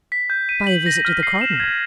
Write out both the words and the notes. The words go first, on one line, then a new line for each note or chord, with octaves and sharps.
"By a visit to the cardinal."
B6
G6
D#7
F#7
A#6
F6
C7
E7
G#6